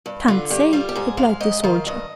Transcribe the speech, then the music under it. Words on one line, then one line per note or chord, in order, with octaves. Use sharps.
"Can't say," replied the soldier.
G2
D3 F4
G2 G4
G3 F4
G4
G#2 G#4
G#3 F5
G#2 D#5
D#3 F5
G2 D#5